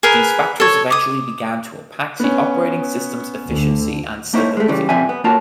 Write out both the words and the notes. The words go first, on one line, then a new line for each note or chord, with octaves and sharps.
These factors eventually began to impact the operating system's efficiency and stability.
G#4 A#4 B4
A4 C#5
D6 D#6
B3 C#4
D2 D3
A#3 D#4 E4 C5 C#5
G#3 A3
C#3 E3 G3
B1 F3 G3 C4 E5 G#5
B3
A#3 F4 F#4 A#4 C#5 A5